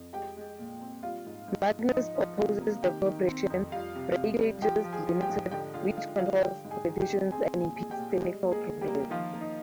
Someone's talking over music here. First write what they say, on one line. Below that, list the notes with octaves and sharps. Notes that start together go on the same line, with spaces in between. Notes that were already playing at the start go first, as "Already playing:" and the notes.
Magnus opposes the corporation "Breakages, Limited", which controls politicians and impedes technical progress.
Already playing: F2
G#3 G4 G5
G#3
A#2
C4
G3 F4 F5
G#2
G#2
G#2
F3 D#4 D#5
F3
C3 F4 F5
A#3
D#3 G4 G5
D#3
C4
F2
G3 F4 F5
C3
C3
G3
F3 G4 G5
F3
G#4 G#5
F3
G4 G5
G#2
D3 G4 G5
D3 F4 F5
G#3 F4 F5
D3 F4 F5
G3 G4 G5
G#2
G#4 G#5
D#3
G4 G5
C4
C4 G#4 G#5
A#2
G#5
A#2 G#4 G#5
G4 G5
A#2
G4
G3 G#3 G#4
A#3
G#3 G#4
D3
G3 G4
A#3
G4
D#3 F3 F4
A#3
D#4